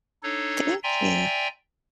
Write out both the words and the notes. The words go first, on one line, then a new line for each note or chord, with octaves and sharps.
Thank you.
D4 D#4 A4 C#5
D5 E5 G5 G#5 A#5 C6